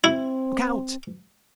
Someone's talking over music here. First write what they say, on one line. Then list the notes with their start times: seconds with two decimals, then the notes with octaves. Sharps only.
"Look out!"
0.04 C4 E4